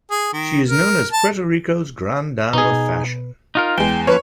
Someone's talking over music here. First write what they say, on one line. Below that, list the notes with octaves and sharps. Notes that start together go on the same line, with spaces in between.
She is known as "Puerto Rico's grande dame of fashion".
G#4
D#3
A#4
A5
B2 D#4 G#4 B4
D#4 F4 A#4
E2 G#3 G5
F3 A#3 C#4 B4 C#5